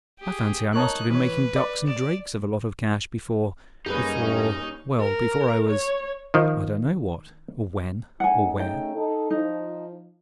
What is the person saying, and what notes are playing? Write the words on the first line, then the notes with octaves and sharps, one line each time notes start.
"I fancy I must have been making ducks and drakes of a lot of cash before--before--well, before I was--I don't know what, or when, or where."
G4 G#4
D#4 A#4 C#5 A5 F#6
E3 B4 C#5
D5
D5 E7
F#2 G3 A#3 C#4 D#4 G4 G#4 B4
A#4
C#5
D#3 F3
C#3 A3 D#4 F#5 G#5
G5
D#4 A4
F3 D#4